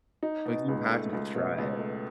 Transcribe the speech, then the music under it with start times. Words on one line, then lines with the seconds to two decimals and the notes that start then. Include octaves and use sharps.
like, you have to to try it.
0.23 D#4
0.45 B2
0.68 C#2
0.90 A3
1.13 C#2
1.35 B2
1.58 C#2
1.79 A3